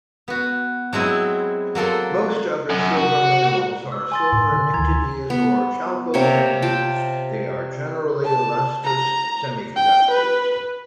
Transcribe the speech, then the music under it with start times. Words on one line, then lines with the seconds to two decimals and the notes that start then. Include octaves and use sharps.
Most other silver minerals are silver pnictides or chalcogenides; they are generally lustrous semiconductors.
0.28 B3 F#4
0.93 F#3 G#3 C4 E4
1.75 F#3 A#3 A4 C6
2.70 F#2
2.97 F#4
3.92 E6
4.12 G#5 C6 A6
4.33 A2 C6
4.52 D3
4.74 D2 D#3 E3 A#5 G#6
5.30 B3
6.14 C3 A#3 C4 C#5
6.62 F4 G5 A5
8.25 A5
8.84 A#5
9.76 G5
10.11 B4